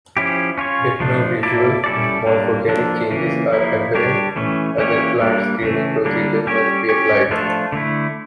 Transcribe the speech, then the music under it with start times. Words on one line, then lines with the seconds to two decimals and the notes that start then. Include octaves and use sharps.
If no visual, morphogenic changes are apparent, other plant screening procedures must be applied.
0.17 F3 C#4 E4 G4
0.58 C#4 F4 C#5
1.00 F3 A3 D4
1.43 A#3 E4 A4 D5
1.84 G3 C#4 E4 A4 D5
2.27 G3 A#3 D4
2.68 F3 A#3 D4 A4
3.11 C#3 E3 A#3
3.52 F3 A#3 E4
3.95 G3 D4 G4 C#5
4.36 E3 A3 C#4
4.78 E3 A#3 C#4 G4 C#5
5.21 G3 A#3 D4
5.62 C#3 E3 A3
6.05 D3 G3 A#3 D4
6.47 G3 C#4 G4 C#5
6.89 C#4 G4 C#5
7.31 F3 A3 D4 F4 A4
7.72 D3 A3 E4